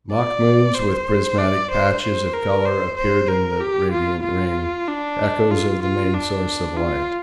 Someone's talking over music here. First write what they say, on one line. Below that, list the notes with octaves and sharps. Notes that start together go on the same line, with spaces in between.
Mock moons with prismatic patches of colour appeared in the radiant ring, echoes of the main source of light.
D5
C5
D5
C5
C5
A#4
C5
C5
A#4
G4
F4
F4
D4
F4
F4
D4
F4